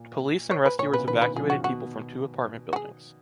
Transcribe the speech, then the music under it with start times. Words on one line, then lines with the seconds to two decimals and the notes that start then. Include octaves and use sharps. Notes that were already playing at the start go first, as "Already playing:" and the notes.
Police and rescuers evacuated people from two apartment buildings.
Already playing: A#2
0.51 C#5
0.66 B4
0.79 A#2 C#5
0.88 B2
0.94 B4
0.99 C#3
1.07 B2 D#3 B4
1.22 B4
1.36 C#3 F3 G#4
1.50 F#4
1.64 B2 D#3 F#4
2.73 F#4
2.76 G#4